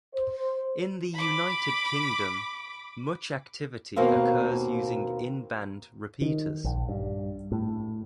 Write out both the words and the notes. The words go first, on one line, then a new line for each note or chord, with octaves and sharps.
In the United Kingdom, much activity occurs using in-band repeaters.
C5
B5 D6
D#2 B2 A#3 C4 F5
D#3
A#1
G2
A2